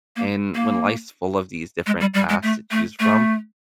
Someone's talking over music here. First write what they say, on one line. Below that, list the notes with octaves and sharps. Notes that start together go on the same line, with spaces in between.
and when life's full of these different tasks to choose from,
A#3
A#3
G#3
G3
G3
G#3
A3
A3
A3